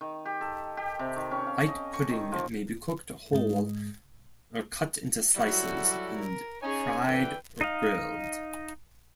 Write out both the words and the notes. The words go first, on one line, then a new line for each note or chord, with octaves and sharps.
White pudding may be cooked whole or cut into slices and fried or grilled.
D#3
G4
A4
G4
C3
D#3
C#4
F5
D#5
C#6
D#3
F3
G#2 G#3
F#3 G3 E4 F#4 A4
A#4
C#4 D#4 G#4 C#5 G#5
D3 E3 B4 G5
D#4 D#5 F5